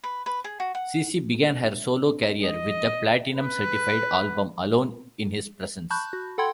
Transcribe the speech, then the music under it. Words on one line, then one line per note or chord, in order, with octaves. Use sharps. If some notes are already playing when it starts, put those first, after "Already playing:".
CeCe began her solo career with the Platinum certified album "Alone in His Presence".
B4
B4
G#4
F#4
F#5
D#5
B4
A5 B5 C#6 F#6 G6
F#4
A4 F#5 G5 B5 C6 G#6